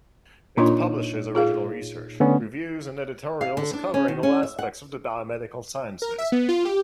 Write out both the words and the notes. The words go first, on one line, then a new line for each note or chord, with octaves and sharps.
It publishes original research, reviews, and editorials covering all aspects of the biomedical sciences.
A#2 D4 D#4 F4 C#5 C6
F4 G#4 F5
D3 A3 B3 C#4
F5
D3
D4
C#4
D#3
C#4
E5
F#5
A#4
E5
B3
F4
G4